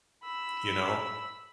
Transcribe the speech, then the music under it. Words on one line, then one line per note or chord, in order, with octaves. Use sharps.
you know?
B5 E6